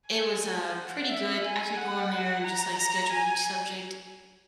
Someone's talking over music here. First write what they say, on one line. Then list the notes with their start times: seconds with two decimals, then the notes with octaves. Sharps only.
it was, uh, pretty good. I could go on there and just like schedule each subject,
0.08 G#5
0.76 F#5
1.09 E5
1.43 G#5
1.77 F#5
2.44 A#5
2.78 A#5
3.11 G#5